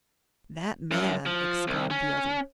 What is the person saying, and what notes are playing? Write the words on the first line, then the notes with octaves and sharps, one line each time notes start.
"That man," exclaimed the other.
F#2
F3
C2
C#4